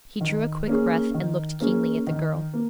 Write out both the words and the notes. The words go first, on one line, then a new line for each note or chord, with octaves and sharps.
He drew a quick breath and looked keenly at the girl.
D#3
A#3 C#4 G#4
D#3
A#3 C#4 G#4
D#3
A#3